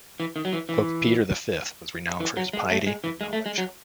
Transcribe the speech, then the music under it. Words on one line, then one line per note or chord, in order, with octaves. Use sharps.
Pope Peter the Fifth was renowned for his piety and knowledge.
E3
D#3
F#3
E3
E3
E3
F#3
G#3
A3
G#3
E3
G#3
A3
G#3
F#3